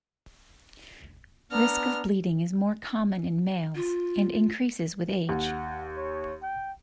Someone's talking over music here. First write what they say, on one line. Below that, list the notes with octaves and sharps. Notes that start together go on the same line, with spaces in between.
Risk of bleeding is more common in males, and increases with age.
B3 D4 A#5 F6
F4
D#2 F#5
C#5
G5